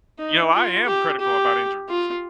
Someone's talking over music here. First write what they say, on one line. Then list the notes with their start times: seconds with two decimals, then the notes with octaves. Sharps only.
You know, I am critical about injuries
0.19 D#4
0.53 F4
0.86 G4
1.20 G4
1.89 F4